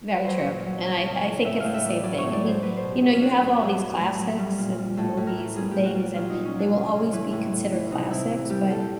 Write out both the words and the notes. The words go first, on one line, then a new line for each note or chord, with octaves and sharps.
Very true, and I I think it's the same thing. I mean, you know, you have all these classics, and movies, and things, and they will always be considered classics, but,
B4
F#3 C5
A#2
F#3
C#3 C#5
C#3
C#5
E3
A2 E5
A2 F5
E5
E3
D5
F#3 D5
A2 C#5
D5
F#3
C5
F#3 B4
C5
B2
G4
F#3
C#4
F#3 D4
A2 C#4
F#3 F#4
F#3
A2
F#3
G3
A#2
G3
A2 A4
A2
A#4
E3
G3 G#4
A#2 G4
F#4
G3
F4
F#3 F4
A#2 D#4
C#4
F#3 D4
C#3
C#3
E3
A2
A2
E3
C3 D#4
C3 E4
E3
G3 G4
A#2 A4
G4